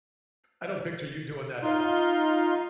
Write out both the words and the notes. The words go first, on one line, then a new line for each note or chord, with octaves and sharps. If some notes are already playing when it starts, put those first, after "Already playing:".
I don't picture you doing that at all.
D#4 F4 C6